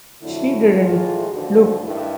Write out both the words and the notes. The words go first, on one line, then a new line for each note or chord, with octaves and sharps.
She didn’t look.
F2 D3 F#3 A3 E4
A2 E3 G#3 F4
D#2 D3 F3 F#4
G2 D#3 E4